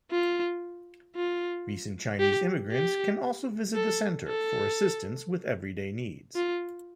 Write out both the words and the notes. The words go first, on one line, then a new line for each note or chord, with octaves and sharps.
Recent Chinese immigrants can also visit the Center for assistance with everyday needs.
F4
F4
G4
G4
A4
A4
F4